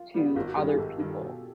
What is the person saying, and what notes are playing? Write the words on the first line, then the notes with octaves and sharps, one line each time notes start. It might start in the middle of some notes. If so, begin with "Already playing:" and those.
to other people
Already playing: F4
G3 B3 D4
G#1 F4
F#4
G2 D#3 G4
G#4
G#1 A4
G2 D#3
B2